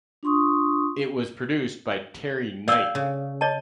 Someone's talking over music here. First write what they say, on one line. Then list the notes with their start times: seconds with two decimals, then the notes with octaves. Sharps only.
It was produced by Terry Knight.
0.23 D4 F4 C6 C#6 D#6
2.68 D5 F5 G5 G#5 E6
2.95 C#3
3.41 C#5 D#5 A5